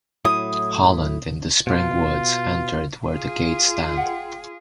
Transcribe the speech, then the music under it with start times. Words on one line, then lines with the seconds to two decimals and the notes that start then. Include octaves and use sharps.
Holland in the Spring Woods, entered where the gates stand.
0.25 A2 F#3 E4 D#6
1.67 B2 F4
3.07 F4 G#4
3.97 F#5 G5